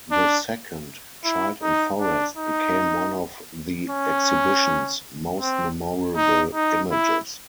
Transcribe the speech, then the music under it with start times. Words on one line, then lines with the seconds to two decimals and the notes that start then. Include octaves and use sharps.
The second, "Child in Forest," became one of the exhibition's most memorable images.
0.11 D4
1.24 E4
1.63 D#4
2.01 D4
2.37 D#4
3.89 C#4
5.41 C4
6.16 D#4
6.55 D#4
6.91 E4